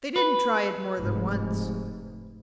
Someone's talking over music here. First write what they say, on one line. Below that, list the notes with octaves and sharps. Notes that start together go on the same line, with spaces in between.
They didn't try it more than once.
B4
F1 G#2